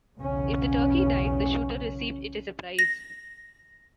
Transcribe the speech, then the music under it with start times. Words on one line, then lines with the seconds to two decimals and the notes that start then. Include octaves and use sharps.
If the turkey died, the shooter received it as a prize.
0.18 B1 E2 C#3 C#4
2.79 A#6